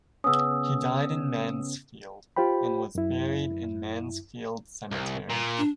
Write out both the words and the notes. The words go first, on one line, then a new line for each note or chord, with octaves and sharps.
He died in Mansfield, and was buried in Mansfield Cemetery.
C#3 B3 C#4 D#6 E6
F4 G4 C5 G5 B5
F#2 E4
C2
A#2
D4